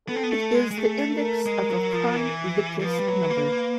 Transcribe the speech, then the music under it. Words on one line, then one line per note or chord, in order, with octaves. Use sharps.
It is the index of a prime Lucas number.
B3 A4
C4
B3
A3
G#3
G#3
A3 G#4
A#4
G#3
F#3
F3
E3
E3
F3 B4
G3
F#3
A#3